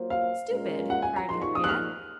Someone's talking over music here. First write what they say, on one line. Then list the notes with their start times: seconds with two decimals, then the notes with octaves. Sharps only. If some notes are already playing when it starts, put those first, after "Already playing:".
"Stupid!" cried Henriette.
Already playing: F#3 A#3 F4 C5
0.10 F5
0.50 A#2 G#3 C#4 F4 A#4
0.90 F#5
1.02 G#5
1.16 A#5
1.29 A#2 F3 A#3 D#4 G#4 C6
1.42 C#6
1.55 D#6
1.64 F#6
1.69 F6